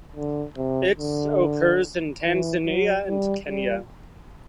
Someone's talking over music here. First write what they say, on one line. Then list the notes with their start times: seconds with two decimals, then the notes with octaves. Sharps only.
Its occurs in Tanzania and Kenya.
0.16 D3
0.57 C3
0.98 D3
2.24 E3
2.66 F#3
3.07 G3
3.48 G3